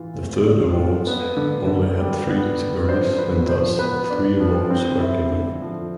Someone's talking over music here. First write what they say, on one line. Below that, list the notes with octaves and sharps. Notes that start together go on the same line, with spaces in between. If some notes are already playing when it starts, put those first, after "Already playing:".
The third awards only had three categories, and thus three awards were given.
Already playing: E3 F4
A3
D4
F4
B3
D3
D3
G3
B3
D3
B4
D4 C5
F3 B4
F3 C5
B3 B4
D4
F3
C4
E4
D3
F3